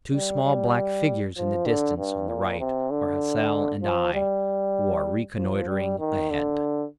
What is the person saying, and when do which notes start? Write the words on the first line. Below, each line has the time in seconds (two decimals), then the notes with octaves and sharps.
The two small black figures in the distance, on the right, are Hassel and I, who are reconnoitring ahead.
0.13 G3
0.44 G3
1.37 F3
1.67 D3
1.98 G2
2.28 A#2
2.60 C3
2.91 D3
3.83 F3
4.14 G3
5.37 F3
5.68 G3
5.99 D#3
6.30 D3